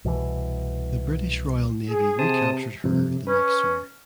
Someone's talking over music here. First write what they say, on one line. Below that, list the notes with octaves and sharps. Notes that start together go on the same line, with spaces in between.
The British Royal Navy recaptured her the next year.
C2 B2 D3 E3
G#4
C3 C5 A5 D#6
F2 C3
C#4 B4